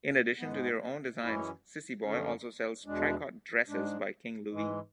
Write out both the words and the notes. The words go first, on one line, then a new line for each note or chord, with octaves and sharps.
In addition to their own designs, Sissy-Boy also sells tricot dresses by King Louie.
G#2 G#3 B3
F#2 E3 G#3 C#4 E4
F#2 D3 A3 C#4
E2 B2 G#3 D4
G#2 G#3 D4
G#2 E3 G#3